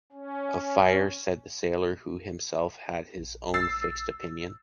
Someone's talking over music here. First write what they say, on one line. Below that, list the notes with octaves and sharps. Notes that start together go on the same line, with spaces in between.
Of fire, said the sailor who himself had his own fixed opinion.
C#4
A#1
E6 A6 C7